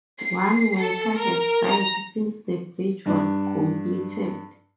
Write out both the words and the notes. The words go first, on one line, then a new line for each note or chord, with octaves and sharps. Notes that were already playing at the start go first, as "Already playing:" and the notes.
One worker has died since the bridge was completed.
C7
A4
A#4
A#5
G2 D4